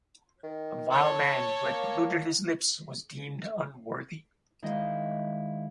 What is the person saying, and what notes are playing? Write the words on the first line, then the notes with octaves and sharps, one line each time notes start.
A vile man who had polluted his lips was deemed unworthy.
D#3
A4 C#5
A#3
D#3 G#3 E4 D#5 F5